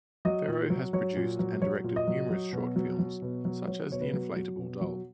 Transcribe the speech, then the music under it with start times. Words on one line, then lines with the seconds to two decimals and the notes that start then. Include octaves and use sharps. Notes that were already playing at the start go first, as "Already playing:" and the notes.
Ferro has produced and directed numerous short films such as The Inflatable Doll.
0.25 F#3 D#5
0.48 A#2
0.70 F#3
0.93 F#3 C#5
1.16 A#2
1.39 F#3
1.62 F#3 C#5
1.84 A#2
1.96 D#5
2.08 F#3
2.30 F#3
2.53 B2
2.76 F#3
2.99 F#3
3.22 B2
3.45 F#3
3.67 F#3 C#5
3.90 B2 C#5
4.01 B4
4.13 F#3
4.36 F#3
4.58 B2
4.81 F#3